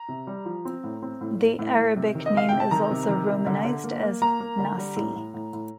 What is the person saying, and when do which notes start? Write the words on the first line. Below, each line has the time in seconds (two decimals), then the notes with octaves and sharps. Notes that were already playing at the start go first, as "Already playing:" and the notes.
The Arabic name is also romanized as Nasie.
Already playing: A#5
0.09 C3
0.27 G3
0.45 F3
0.65 C4
0.84 A2
1.02 C4
1.21 A2
1.40 A2
1.59 A2
1.77 A2
1.96 C3
2.15 D#3
2.26 D#5
2.34 C3 F5
2.49 C3 G5
2.60 A5
2.71 D#3 A#5
2.90 C3
3.08 D#3
3.28 C3
3.47 D3
3.65 D3
3.84 A#3
4.03 A#3
4.22 A#3 A#5
4.40 A#3
4.59 D3
4.78 G3
4.96 A2
5.16 A2
5.34 A2
5.53 A2